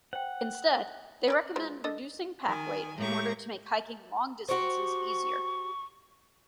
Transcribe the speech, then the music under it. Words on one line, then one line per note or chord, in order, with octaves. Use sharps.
Instead, they recommend reducing pack weight, in order to make hiking long distances easier.
C5 F#5 G5
A#4 B4 D5
G#3 F4 C5
D4 A4 D#5
D#3 G#5
A2 G#3 G4 A#5 C#6
F#4 G4 C5 C#6